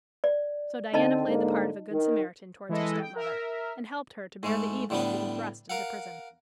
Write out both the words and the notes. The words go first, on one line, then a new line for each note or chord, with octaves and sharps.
So Diana played the part of a Good Samaritan towards her stepmother, and helped her to bear the evil of being thrust into prison.
D5
D3 C4 D#4 D#5 A5
G#2 D3 A#3
D#3
E3 G#3 E4 A4 D#5
G5
A#4 E5
G#2 G#3 A3
A2 D3 G3 B3 D4
A#4 F5 F#5